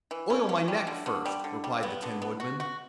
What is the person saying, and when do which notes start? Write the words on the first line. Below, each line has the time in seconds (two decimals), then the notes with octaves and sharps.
"Oil my neck, first," replied the Tin Woodman.
0.11 E3
0.30 C#4
0.49 C#4
0.68 G3
0.87 D3
1.06 D3
1.26 G3
1.44 D3
1.64 G3
1.83 B3
2.02 D3
2.22 B3
2.40 F#4
2.60 F#4